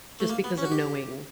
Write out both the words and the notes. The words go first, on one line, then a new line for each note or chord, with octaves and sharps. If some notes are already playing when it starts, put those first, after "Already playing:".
just because of knowing
A3
A#3
B3
C#4
F#4
G4